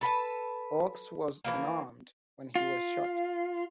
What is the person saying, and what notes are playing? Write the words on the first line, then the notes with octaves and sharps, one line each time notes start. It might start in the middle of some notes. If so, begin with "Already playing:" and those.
Oakes was unarmed when he was shot.
A4 B4 G#5 A5
E3 F3 A#3
F4